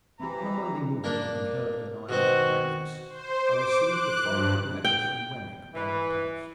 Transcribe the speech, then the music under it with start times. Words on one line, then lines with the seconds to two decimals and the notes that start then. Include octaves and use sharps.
On a Monday morning, when Herbert and I were at breakfast, I received the following letter from Wemmick by the post.
0.20 E3 C4 G4 A#5
1.04 A#3 D4 A#4
2.09 B2 D#3 C4 F#4
3.09 C5
3.44 D6
3.84 F#6
4.22 G2
4.84 G5
5.74 E3